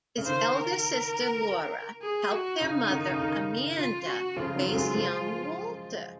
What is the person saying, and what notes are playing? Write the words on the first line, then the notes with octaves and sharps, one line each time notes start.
His elder sister, Laura, helped their mother, Amanda, raise young Walter.
C#3
D#3 C5
A#4
G#4
F#4
C#3 D#4
D#3
C#3
D#3
F4
F#4
C#3 F3 F4
D#3 F#3
F#3
F3 G#3
F3 G#3